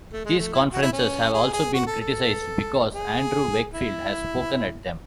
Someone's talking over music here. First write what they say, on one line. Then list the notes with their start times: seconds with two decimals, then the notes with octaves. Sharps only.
These conferences have also been criticized because Andrew Wakefield has spoken at them.
0.13 A3
0.25 G#3
0.39 A3
0.53 E4
0.73 F#4
0.82 E4
0.93 C#4
1.34 G#4
1.53 G#4
1.74 F#4
1.87 A4
2.01 A4
2.94 G#4
3.74 E4